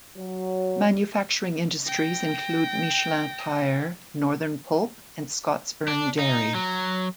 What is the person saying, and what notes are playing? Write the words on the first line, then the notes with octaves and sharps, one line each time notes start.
Manufacturing industries include Michelin Tire, Northern Pulp and Scotsburn Dairy.
F#3
G5 A#6
D4
D#4
F#3